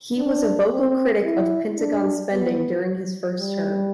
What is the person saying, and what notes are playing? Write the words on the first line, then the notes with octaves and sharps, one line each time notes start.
He was a vocal critic of Pentagon spending during his first term.
D4
C4
E4
D4
B3
G3